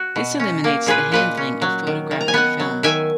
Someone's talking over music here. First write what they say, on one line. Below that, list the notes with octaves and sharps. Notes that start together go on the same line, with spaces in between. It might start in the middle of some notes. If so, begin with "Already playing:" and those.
This eliminates the handling of photographic film.
Already playing: F#4
B2
C#4
A#3
A#2 G#4 B4
A#2 B4 D#5
C#4
F#3
D#3
D#3
A#5
G#5
B3 D#5 F#5
F#3
D#3 E5 G#5